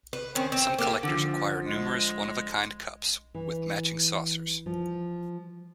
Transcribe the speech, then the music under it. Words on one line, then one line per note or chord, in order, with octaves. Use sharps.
Some collectors acquire numerous one-of-a-kind cups with matching saucers.
B4
D#3 C4 C#4
C4
A#3 G4 A4
D3 F3
G#3
E3
F3